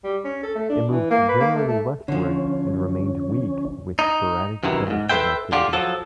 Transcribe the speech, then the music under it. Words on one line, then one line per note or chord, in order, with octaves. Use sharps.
It moved generally westward, and remained weak with sporadic thunderstorm activity.
G3
C#4
A4
A3
D4
E3
A#3
B4
A#3
A3
A3
D3 F3 C#4
D#4
F#2 C3 D#3 E3
C#2 G#2
A4 B4 C5 E5 G5
D3 F4 G4
F3 F#3 A4